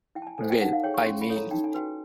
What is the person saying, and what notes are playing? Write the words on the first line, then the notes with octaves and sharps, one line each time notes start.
Well, I mean!
E4 G5
A5
G#5
A4 C5 G#5
G5
D#4 F#5
F5
G#4 C#5 G5
C#6
C#4 C6
B5
E4 A4 C#5
A#5
D#4 G5
G#5
F#4 B4 G5